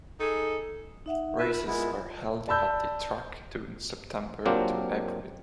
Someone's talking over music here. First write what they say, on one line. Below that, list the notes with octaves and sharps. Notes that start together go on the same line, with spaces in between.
Races are held at the track during September to April.
D#4 G#4 A4
D#4 E5 F#5
F4 A#4 B4 E5
B5
G#3 B3 E4
D5 A5 B5 E6 G6
F#3 A#3 C4 D4 F4 G4